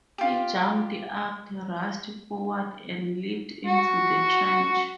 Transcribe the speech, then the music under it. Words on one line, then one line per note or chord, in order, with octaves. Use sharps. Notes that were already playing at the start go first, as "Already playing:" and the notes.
He jumped up, rushed forward and leapt into the trench.
F4 G4
F#4